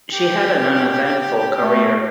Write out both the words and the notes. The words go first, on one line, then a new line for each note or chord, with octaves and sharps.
She had an uneventful career.
G4
A3